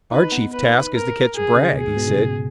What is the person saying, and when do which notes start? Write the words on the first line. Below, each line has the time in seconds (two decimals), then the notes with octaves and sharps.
"Our chief task is to catch Bragg," he said.
0.11 D#4 B4
0.32 B3
0.53 B4
0.95 A#4
1.35 G#4
1.56 C#3
1.77 B2 G#4
1.87 G#2
1.97 B2
2.07 C#3
2.18 B2